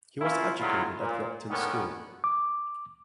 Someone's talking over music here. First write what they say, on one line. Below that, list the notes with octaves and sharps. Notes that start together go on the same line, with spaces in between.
He was educated at Repton School.
A#3 C#4 E4 F4
D3 D#3 F#3 G#3 E4 F4
A#2
C#2 D3 D#3 B3 C#4 A#4
D6